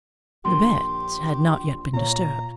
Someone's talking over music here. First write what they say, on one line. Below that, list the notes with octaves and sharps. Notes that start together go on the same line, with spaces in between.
The bed had not yet been disturbed.
A#1 D3 G4 A#4 C6
A#2 F4 C#5 A#5